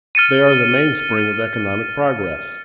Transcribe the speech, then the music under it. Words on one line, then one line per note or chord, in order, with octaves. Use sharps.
They are the mainspring of economic progress.
F6 A6 C#7 D#7